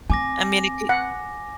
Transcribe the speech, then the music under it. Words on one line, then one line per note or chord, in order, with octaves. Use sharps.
I mean, it could
C4 G#5 D6 A#6
F#5